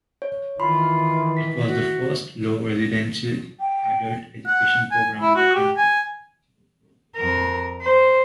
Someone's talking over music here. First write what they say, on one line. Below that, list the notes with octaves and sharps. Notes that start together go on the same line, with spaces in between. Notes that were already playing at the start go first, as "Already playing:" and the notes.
It was the first low-residency adult education program in the country.
C#5
D#3 E3 F4 B5 C6
B6
F#4
G5
F#5
G#5
E4
F#4
G4
G#5
F2 A#4
C5